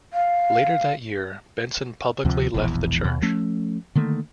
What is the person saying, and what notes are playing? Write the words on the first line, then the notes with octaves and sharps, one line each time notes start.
Later that year, Benson publicly left the church.
F5
D2 C3 F3
E1 A#1 E2 E3
D#2 B2
F3 A3 C#4
D3 D#3 A3 A#3